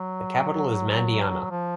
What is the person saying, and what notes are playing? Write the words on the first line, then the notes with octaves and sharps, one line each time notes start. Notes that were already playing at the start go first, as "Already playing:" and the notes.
The capital is Mandiana.
Already playing: F#3
F3